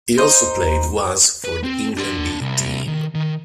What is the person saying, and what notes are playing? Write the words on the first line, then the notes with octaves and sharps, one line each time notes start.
He also played once for the England B team.
D#4 C5
B4
C4
D4 C6
C2
D#3
D#3